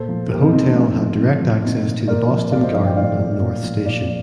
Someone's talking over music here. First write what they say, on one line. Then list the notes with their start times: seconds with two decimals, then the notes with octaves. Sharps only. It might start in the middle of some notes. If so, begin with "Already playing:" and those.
The hotel had direct access to the Boston Garden and North Station.
Already playing: A#2 A4 C5
0.09 F3
0.30 A#2 G4 A#4
0.41 C4 D#4
0.52 F3 C4 D#4
0.64 A#3 D4
0.74 C3 A3 C4
0.97 F3
1.19 C3
1.41 F3
1.63 A#2 C4 D#4
1.86 F3
2.08 A#2 A#4 D5
2.30 F3
2.52 A2 D5 F5
2.63 C5 D#5
2.74 F3 D5 F5
2.85 D#5 G5
2.97 A2 D5 F5
3.18 F3
3.41 A#2
3.63 F3
3.85 A#2 D5 F5